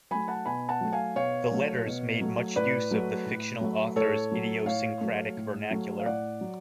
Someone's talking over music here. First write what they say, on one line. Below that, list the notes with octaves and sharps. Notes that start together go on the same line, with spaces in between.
The letters made much use of the fictional author's idiosyncratic vernacular.
F#3 A3 G#5 B5
F#5 A5
B2 G#5 B5
F#5 A5
F#3 A3
F5 G#5
B2 C#5 F5
F#3 A3
B2
F#3 A3
A2 B4 D5
F#3 A3
A2
F#3 A3
A2 A4 C#5
F#3 A3
A2 C#5 F5
F#3 A3
A2
F#3 A3
F5
A2 D5 F#5
F#3